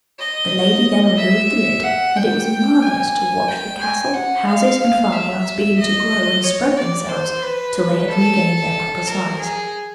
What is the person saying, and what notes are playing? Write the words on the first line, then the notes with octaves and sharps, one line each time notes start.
The lady then removed the lid, and it was marvellous to watch the castle, houses, and farmyards begin to grow and spread themselves till they had regained their proper size.
D#5
E5
F#5
G5
G#5
G5
G#5
F#5
F5
F5
E5
D#5
C#5
D5
C5
B4
A4
A#4
G#4